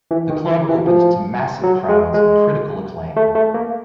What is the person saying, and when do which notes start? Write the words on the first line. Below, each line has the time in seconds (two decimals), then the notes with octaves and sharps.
The club opened to massive crowds and critical acclaim.
0.11 E3
0.30 D#3
0.49 E3
0.69 E3
0.87 F3
1.63 F#3
1.89 G#3
2.14 G#3
3.16 A3
3.35 A3
3.54 A#3